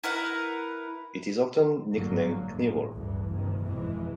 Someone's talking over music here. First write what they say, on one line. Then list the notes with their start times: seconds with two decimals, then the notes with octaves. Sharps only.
It is often nicknamed Knievel.
0.03 E4 A#4 B4 F#5
1.92 G1 G#2 D3 F#3 A#3
2.45 E2 A2
2.92 A1 D2 G2 E3
3.30 F#1 G2 C3 D#3
3.61 G#1 F2 B2 E3 G#3